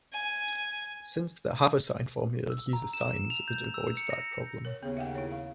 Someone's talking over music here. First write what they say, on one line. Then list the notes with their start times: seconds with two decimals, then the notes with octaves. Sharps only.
Since the haversine formula uses sines it avoids that problem.
0.12 G#5
2.50 E6
2.73 A#5
2.93 E7
3.30 F7
3.48 G6
3.74 E6
3.97 C#7
4.10 A#6
4.65 A#4 C#5
4.83 D#2 C#3 B3
4.97 E5 F#5 G5
5.15 E4 C#5
5.32 F5